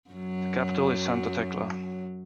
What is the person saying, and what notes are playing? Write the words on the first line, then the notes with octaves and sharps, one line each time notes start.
The capital is Santa Tecla.
F#2 F#3